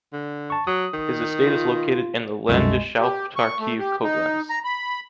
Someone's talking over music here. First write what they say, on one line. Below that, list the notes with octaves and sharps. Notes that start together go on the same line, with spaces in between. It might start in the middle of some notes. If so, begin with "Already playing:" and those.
His estate is located in the Landeshauptarchiv Koblenz.
D3
A5 C#6
F#3 D#6
D#3
F4
C2 F#2 B2 G#3 A3
G4
C#6
A3
G4
D#4
A#5
B5